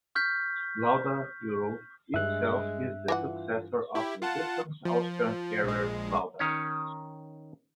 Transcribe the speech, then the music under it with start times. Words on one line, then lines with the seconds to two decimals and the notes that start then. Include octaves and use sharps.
Lauda Europe itself is the successor of the defunct Austrian carrier Lauda.
0.15 C#6 F6 G6 B6
2.14 G2 G#3 E5 F#6
3.08 E3 F4 G#4 F#5
3.95 E4 G4
4.22 F4 F#5 A5
4.85 F3
5.64 A#1 G#3
6.39 D#3 C#4 C#5